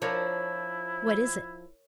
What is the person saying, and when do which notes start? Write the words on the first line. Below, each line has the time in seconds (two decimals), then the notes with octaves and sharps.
"What is it?"
0.02 F3 D4 E4 A#4 C#5